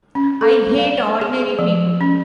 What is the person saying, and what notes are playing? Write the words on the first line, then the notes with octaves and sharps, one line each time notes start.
I hate ordinary people!
C#4
A4
F5
G#4
F3
C#4